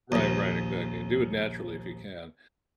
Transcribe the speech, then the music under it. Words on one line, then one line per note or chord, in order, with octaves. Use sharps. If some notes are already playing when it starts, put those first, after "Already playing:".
Right, right, exactly. Do it naturally if you can.
A#1 D#2